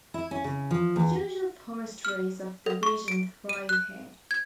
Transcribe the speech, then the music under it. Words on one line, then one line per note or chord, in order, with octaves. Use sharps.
The usual forest trees of the region thrive here.
E4
C#4
C#3
F3
E2
F6
A4
C#6
D7
D#7
F#6
G#6